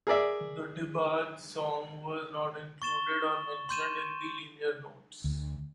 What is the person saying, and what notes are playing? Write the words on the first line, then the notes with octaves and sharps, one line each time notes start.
The DeBarge song was not included or mentioned in the liner notes.
G#4 A#4 D5 E5
C#6 A6 E7 G7
C6 G6 D#7 E7
D2